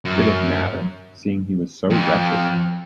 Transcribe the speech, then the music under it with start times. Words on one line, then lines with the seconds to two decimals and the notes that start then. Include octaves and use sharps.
Did it matter, seeing he was so wretched?
0.06 F#2
1.90 F2